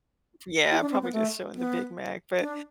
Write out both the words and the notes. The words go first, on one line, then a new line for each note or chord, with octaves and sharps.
Yeah, probably just showing the Big Mac, but
E4
D4
C4
B3
A3
B3
D4